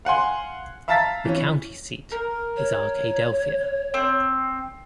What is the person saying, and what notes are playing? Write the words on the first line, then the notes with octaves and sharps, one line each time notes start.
The county seat is Arkadelphia.
F5 F#5 G#5 C6
E5 F5 A5 A#5 A6 B6
E3 C#4
A#4
C#5
C4